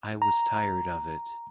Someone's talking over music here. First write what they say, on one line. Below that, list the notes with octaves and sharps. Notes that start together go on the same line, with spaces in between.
I was tired of it.
A#5